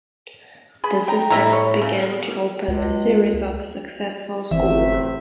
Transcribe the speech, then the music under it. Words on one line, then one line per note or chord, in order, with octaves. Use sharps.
The Sisters began to open a series of successful schools.
G#4 B4 B5
G5 A#5
A2 A3 E4 D#5 E5 A#5
C#5
C#3
C#2
G1 A2 C3 E3 C4 E5